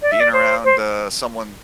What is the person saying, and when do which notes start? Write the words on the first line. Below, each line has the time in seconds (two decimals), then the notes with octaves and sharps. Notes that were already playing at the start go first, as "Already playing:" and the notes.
being around, uh, someone
0.02 D5
0.12 E5
0.20 D5
0.33 C5
0.64 C5